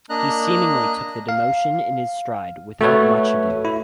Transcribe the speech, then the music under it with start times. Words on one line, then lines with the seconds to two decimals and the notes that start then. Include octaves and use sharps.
He seemingly took the demotion in his stride without much ado.
0.10 A#3 D4 D#5 A#5 F#6
1.29 F5
2.81 A3 F#4 A4 B4 C#5
3.65 E4